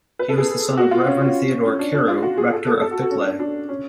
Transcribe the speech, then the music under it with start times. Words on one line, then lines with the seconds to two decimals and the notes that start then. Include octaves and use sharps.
He was the son of Reverend Theodore Carew, rector of Bickleigh.
0.19 B4
0.29 A4
0.38 G#4
0.77 F#4
0.91 F4
1.06 C#4
1.21 C#4
1.65 C#4
1.79 D4
1.95 D4
2.08 F4
2.23 F#4
2.37 G#4
2.52 A4
2.67 A4
2.81 A4
2.91 F#4
3.02 F#4
3.11 C#4
3.20 D4
3.40 D4
3.69 C#4